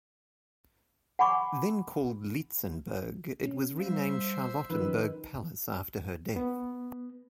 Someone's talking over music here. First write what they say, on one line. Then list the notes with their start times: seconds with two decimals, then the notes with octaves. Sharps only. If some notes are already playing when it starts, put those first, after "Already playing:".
Then called "Lietzenburg", it was renamed Charlottenburg Palace after her death.
1.19 F#5 G#5 B5 C#6 D6
3.45 C#4
3.79 G3 C5 E5 F5
4.70 D#3 F3 C#4 B4 E6
6.36 B3